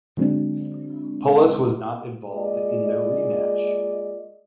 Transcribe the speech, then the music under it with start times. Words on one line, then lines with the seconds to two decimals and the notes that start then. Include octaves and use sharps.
Polis was not involved in their rematch.
0.17 D3 F#3 G#3 C4 D4
2.32 G#3 A#3 F4 G#4 D5 D#5